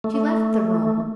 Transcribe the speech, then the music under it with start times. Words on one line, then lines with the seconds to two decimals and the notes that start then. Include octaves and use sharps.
She left the room.
0.04 A3